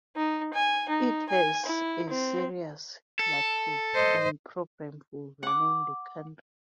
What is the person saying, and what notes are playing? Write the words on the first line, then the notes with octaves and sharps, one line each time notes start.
It has a serious platform and program for running the country.
D#4
G#5
D#4
G#5
E4
C4
A4
C5 D#5
F#5 D6